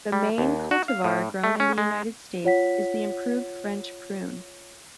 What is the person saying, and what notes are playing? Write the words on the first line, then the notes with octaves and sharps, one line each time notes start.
The main cultivar grown in the United States is the Improved French prune.
G3
D#2
F#4
F5
A2
A3
C#4
G#3
F4 C#5 F#5 B6